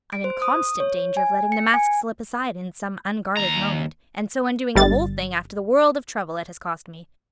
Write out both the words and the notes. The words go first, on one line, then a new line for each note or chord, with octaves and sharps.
I'm in constant danger of letting the mask slip aside in some unguarded moment, and so undoing the whole thing after the world of trouble it has cost me.
D7
C5
D#6
C#5
G#5
C#7
G#5
D#2 A#5
G1 G3 A6